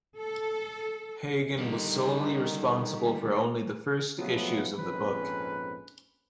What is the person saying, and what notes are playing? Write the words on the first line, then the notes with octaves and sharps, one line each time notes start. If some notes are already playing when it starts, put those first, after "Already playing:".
Hegen was solely responsible for only the first issues of the book.
A4
D3 D#3 G3
F3 F#3 G#3 A3 B3
A#1 F2 G#2 C4 C#4 B4